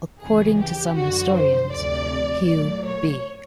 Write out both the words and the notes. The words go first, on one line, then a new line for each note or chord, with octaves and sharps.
According to some historians, Hugh B.
D#2 C#3 E3 G#4
G4
F#2 D3 F3 F#4
C5
D2 C3 F3 A3 D5
A#2 F#3 A3 D5
C#5